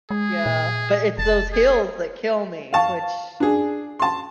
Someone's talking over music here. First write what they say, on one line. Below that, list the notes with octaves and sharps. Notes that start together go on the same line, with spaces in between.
Yeah, but it's those hills that kill me, which
G#3 G#4
A#2
F1 A5
G#4
F5 A5 C#6
D4 G#4
A5 C6